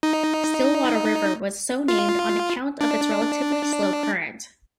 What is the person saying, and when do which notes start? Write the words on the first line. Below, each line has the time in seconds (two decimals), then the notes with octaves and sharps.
Stillwater River was so named on account of its relatively slow current.
0.03 D#4
1.88 F4
2.81 D4